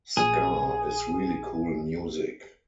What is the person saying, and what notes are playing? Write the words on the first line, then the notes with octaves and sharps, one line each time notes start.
Ska is really cool music.
A#1 G#4